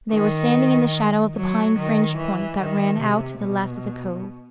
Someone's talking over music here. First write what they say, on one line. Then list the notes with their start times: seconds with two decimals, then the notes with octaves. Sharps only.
They were standing in the shadow of the pine-fringed point that ran out to the left of the Cove.
0.11 D#3
1.35 F#3
1.76 D#3
2.18 E3
2.59 D#3
2.99 C3
3.40 B2